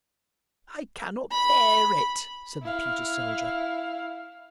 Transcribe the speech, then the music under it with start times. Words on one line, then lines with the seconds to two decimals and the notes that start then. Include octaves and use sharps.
"I cannot bear it!" said the pewter soldier.
1.31 B5
2.62 E4 F5